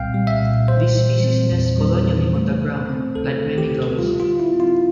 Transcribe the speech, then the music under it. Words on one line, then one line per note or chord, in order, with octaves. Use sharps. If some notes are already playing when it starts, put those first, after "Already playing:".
This species nests colonially on the ground, like many gulls.
Already playing: C2 A#2 G3 C4 F5 G5
G3
E5
A#2
G3 C5
E3
C4
E2
G3
E3
A3
D3
C4
D2 A4
A3
G4
D3
G3 F4
F4
D3
E4
C4
F4